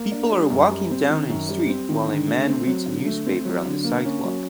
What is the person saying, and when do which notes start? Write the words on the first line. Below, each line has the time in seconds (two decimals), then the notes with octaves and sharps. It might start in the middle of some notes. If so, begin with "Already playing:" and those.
People are walking down a street while a man reads a newspaper on the sidewalk.
Already playing: A#3
0.12 D4
0.32 G3
0.50 F#2
0.70 G3
0.91 C4
1.10 D#3
1.30 F#2
1.49 G3
1.68 C4
1.89 D#3
2.09 D3
2.27 A3
2.47 C4
2.67 F#3
2.86 D3
3.06 A3
3.26 C4
3.45 F#3
3.65 D3
3.84 A#3
4.05 C#4
4.24 F#3